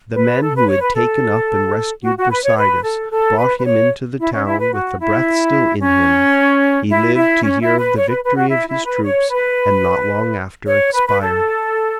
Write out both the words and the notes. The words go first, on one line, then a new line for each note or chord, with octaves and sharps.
The men who had taken up and rescued Brasidas, brought him into the town with the breath still in him: he lived to hear of the victory of his troops, and not long after expired.
B4
A4
B4
C#5
B4
A4
F#4
F#4
B4
C#5
B4
A4
A4
B4
B4
C#5
E4
C#4
E4
B4
F#4
E4
C#4
E4
E4
C#4
E4
B4
C#5
B4
B4
F#4
E4
E4
B4
C#5
B4
C#5
B4
B4
A4